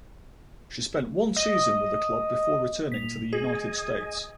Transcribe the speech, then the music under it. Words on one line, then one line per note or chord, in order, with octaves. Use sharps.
She spent one season with the club before returning to the United States.
D#5
A#2 B6 F7
G#4 D#5 G#5